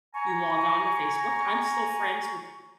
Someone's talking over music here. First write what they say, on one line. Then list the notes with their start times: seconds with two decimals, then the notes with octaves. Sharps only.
you log on to Facebook I'm still friends with
0.14 G#5 A#5 C#6